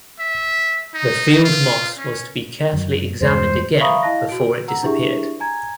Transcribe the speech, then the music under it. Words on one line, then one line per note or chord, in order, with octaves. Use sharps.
The field moss was to be carefully examined again before it disappeared.
E5
D#4
F4
C#4
F#2 F#3
E2 G2 G#3 C5
E5 F5 A#5 B5 C#6 D#6
E4 D#5 F5 A5 F#6 A#6
F#4 D7
F#5 A#5 E6
D4 E4 G4 G#4 E5 C#6
G#5 A#5 G#6